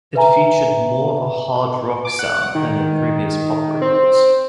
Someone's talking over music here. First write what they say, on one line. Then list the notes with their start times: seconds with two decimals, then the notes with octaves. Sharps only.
It featured more of a hard rock sound than their previous pop records.
0.15 B4 E5 G#5 A#5
2.05 D6
2.19 F#5
2.55 D#3
3.82 C4